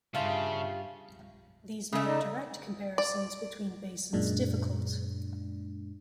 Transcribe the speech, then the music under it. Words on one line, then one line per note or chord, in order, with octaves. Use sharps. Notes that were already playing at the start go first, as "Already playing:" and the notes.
These make direct comparisons between basins difficult.
G2 C#3 G3 F4 E5 A5
C#3 A3
D#4 D5 D#5
D5
F#2 A#2 G#3 D4